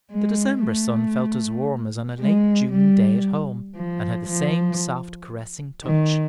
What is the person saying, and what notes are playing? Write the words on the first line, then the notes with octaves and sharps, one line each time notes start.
The December sun felt as warm as on a late June day at home, and had the same soft caressing touch.
G#3
A3
G#3
G3
F3
F3
D#3